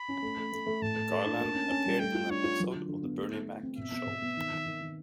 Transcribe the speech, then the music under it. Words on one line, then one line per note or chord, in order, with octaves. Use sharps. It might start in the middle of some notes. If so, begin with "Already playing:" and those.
Garland appeared in an episode of The Bernie Mac Show.
Already playing: B5
C#4
A3
A3
A3
A3
A2 A5
A3
A3
D4
A#3
C#4
C#4
G3
A3 G5
F4
D4 C#5
F4
F#3
D3
D3
B3
A3
A3
A3
C4
B2 E5
B3
B2
B3
D#3
D#3
D#3
D#3